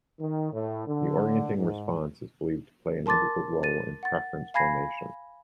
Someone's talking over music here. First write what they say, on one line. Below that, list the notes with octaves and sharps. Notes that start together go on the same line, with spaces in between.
The orienting response is believed to play an integral role in preference formation.
D#3
A2
D3
G#2
A#4 A5 C6 D6 A6
A6 D#7
F#5 A6
F5 G#5 B5 G#6 A#6 C7